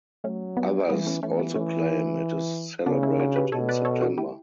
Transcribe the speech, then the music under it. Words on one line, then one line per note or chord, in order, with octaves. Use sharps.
Others also claim it is celebrated in September.
F#3 A3 C#4
G3 B3
E3 G3 B3
A3 C#4
E3 A3 C#4
G3 B3
E3 A3 C#4
C#3 B3 D4
C#4 E4
D4 F#4
G4 B4
B2 A4 C#5
B4 D5
A4 C#5
D4 F#4
E4 G4